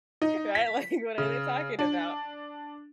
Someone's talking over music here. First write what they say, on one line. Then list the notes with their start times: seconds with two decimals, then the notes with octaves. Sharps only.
Right. Like, what are they talking about?
0.22 D#4
0.55 B6
1.18 C#3
1.79 D4